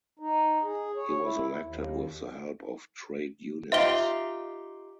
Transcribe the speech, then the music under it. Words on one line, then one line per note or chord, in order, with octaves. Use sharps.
He was elected with the help of trade unions.
D#4
G#4
C#5
E4
D#2
D#4 F4 G4 E5 G7